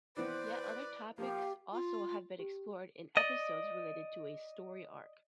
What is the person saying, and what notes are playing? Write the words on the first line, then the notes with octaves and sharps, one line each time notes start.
Yet other topics also have been explored in episodes related to a story arc.
E3 B3 C4 B4 C5 D5
F3 A#3 G4 F5
F4
G4
D5 D#5